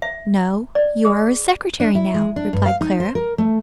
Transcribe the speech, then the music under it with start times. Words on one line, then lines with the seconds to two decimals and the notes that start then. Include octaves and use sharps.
"No, you are a secretary now," replied Clara.
0.02 E5
0.75 D5
1.05 G#4
1.80 D4
1.95 E4
2.14 G#3
2.36 D4
2.53 G2
2.66 F5
2.81 D#4
3.00 C5
3.15 A#4
3.38 A3